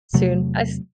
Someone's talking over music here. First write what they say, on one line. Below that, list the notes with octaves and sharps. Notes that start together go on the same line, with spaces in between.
soon, I s
E2 C3 F#3 A3